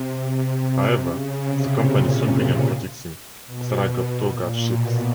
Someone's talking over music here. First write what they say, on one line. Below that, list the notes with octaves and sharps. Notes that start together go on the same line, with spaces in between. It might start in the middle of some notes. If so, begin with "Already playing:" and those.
However, the company soon began producing Saratoga Chips.
Already playing: C3
C#3
C3
A#2
B2
A#2
B2